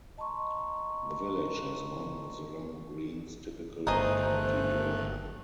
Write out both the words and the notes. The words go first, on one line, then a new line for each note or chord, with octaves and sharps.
The village has one of the long greens typical of County Durham.
D#5 A5 A#5 C6 C#6
G1 A3 D#4 G#4 C5 D#5 F#6